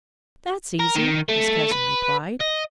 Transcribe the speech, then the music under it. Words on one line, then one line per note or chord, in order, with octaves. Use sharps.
"That's easy," his cousin replied.
A#4
D#3
A3
B4
D#5